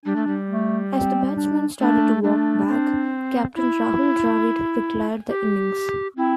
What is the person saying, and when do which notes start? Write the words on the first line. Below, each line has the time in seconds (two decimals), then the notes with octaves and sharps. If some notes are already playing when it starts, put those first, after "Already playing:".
As the batsman started to walk back, captain Rahul Dravid declared the innings.
0.05 G3 D4
0.16 A3
0.27 G3
0.49 A3
0.93 C4
1.36 D4
1.80 A3 D4
2.23 A3 D4
2.68 C4
3.55 E4
5.29 G4
6.16 C4 E4